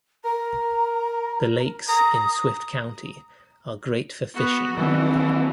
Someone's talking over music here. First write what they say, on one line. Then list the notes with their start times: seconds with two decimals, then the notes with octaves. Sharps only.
The lakes in Swift County are great for fishing.
0.25 A#4 A#5
1.88 A#5 D#6
4.34 B3 F#4
4.77 D#3 E3 F#3 C4